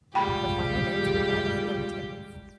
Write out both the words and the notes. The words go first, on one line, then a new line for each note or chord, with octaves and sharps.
The final rates were per the following table.
G3 G#3 F4 G4 G5 B5